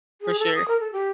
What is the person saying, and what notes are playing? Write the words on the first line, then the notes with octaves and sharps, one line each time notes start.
for sure.
G#4
A4
D#6
A#4
A4
G4